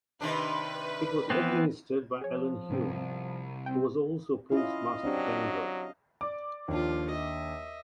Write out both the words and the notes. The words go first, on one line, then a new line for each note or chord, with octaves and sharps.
It was administered by Alan Hulme, who was also Postmaster-General.
C3 D#3 D4 B4
E3 B3 C4
F3 G#4 C#5
C2 G#2 B3 C4
C4 G5
C#4 E4 F4 D#5 F5
F#3 C4 D4 G4
D5 D6
D#2 F3 D4 F4
D#5 E5